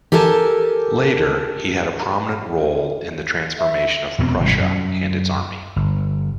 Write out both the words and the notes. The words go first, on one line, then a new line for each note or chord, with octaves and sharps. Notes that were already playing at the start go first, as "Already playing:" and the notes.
Later, he had a prominent role in the transformation of Prussia and its army.
G4 A4 A#4 G#5 A5
E5
E2 B2 C4
G#1 C3 F3 G3
F#2
G1